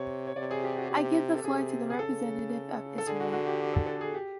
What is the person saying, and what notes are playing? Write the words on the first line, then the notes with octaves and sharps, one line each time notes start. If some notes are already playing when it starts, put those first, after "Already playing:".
I give the floor to the representative of Israel.
Already playing: C3 C#5
C#5
C3 D5
G#4
G4
F#4
C3 G4
A4
C3 G#4
G#4
C#3 A4
A4
D3 G#4
F#4
F#4
G4
G4
A4
A4
G#4
G4